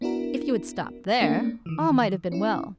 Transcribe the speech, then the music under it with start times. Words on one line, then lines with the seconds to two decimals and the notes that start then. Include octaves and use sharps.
If you had stopped there, all might have been well.
0.01 B3 D4 E4 F#4 A#4
1.21 A3 A#3 C#4 D4
1.66 D#3 E3
2.32 C#4 E4